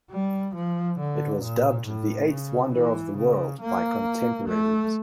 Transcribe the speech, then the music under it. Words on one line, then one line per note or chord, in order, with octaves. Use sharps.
It was dubbed the "Eighth Wonder of the World" by contemporaries.
G3
F3
D3
A#2
A2
C#3
E3
C#3
A#3
A3